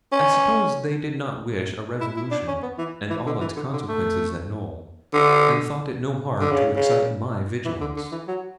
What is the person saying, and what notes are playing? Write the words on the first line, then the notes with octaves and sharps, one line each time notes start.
I suppose they did not wish a revolution and all its consequences at Knowl, and thought it no harm to excite my vigilance.
C#4
E4
E4
D4
C#4
B3
E3
E3
D3
E3
D3
D3
A3
D3
D3
C#3
C#3
E3
D3
D3
E3
F#3